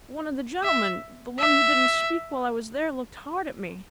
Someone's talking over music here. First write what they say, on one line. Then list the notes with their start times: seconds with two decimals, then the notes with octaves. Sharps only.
'One of the gentlemen, the one who didn't speak while I was there, looked hard at me.
0.63 E5
1.39 E5